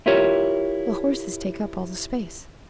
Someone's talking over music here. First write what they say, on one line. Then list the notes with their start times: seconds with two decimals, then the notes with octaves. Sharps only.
"The horses take up all the space."
0.06 E4 F4 G4 A#4 C#5